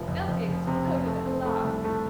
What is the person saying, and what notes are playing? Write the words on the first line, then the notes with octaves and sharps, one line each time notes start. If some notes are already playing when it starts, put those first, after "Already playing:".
Elsie exploded at last.
Already playing: F1 F3
F2
F2
F1
C3
F1
A3
C4
A3
C2
A3